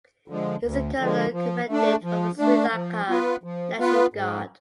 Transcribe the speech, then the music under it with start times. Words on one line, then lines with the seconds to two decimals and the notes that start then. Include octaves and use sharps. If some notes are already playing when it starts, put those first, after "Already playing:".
He is the Colonel Commandant of the Sri Lanka National Guard.
0.28 D3 F3 G#3
0.63 D2
0.98 D3 F3 G#3
1.33 F3
1.68 A3 D4
2.03 F3
2.38 A3 D4
2.73 F3
3.08 B3 F4 B4
3.44 F3
3.79 B3 F4 B4
4.14 G#2